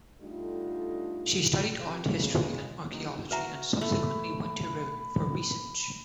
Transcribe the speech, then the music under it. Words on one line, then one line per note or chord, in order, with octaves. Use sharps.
She studied art history and archaeology and subsequently went to Rome for research.
D3 G3 A3 D4 D#4 F4
F2 G4
C#3 G#3
F#1 D#4
F#4 B4 E5 A#5
A3 B5